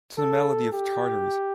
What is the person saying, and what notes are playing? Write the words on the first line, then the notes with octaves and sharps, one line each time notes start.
To the melody of Chartres.
A4
G4